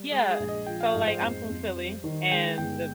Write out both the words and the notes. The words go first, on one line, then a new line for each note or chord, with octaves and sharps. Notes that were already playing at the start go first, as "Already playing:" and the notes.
Yeah, so, like, I'm from Philly, and
Already playing: G3
G#3 G#4
G#4
A#1
D#5
F3 G5
F5
G#2
C5
F2
F2
G3
D#3
G#3 G5
G1 G5